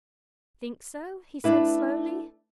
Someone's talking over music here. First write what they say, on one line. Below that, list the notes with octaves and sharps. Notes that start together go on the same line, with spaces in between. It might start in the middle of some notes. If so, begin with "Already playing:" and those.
"Think so?" he said slowly.
A3 D4 E4 B4